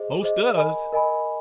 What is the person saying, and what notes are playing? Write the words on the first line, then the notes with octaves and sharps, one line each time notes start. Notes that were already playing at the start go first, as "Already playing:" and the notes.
"Most does."
Already playing: G#4 C5 D#5
G#4 C5 D#5
A#4 D#5 G#5 B5
A#4 D#5 G#5 B5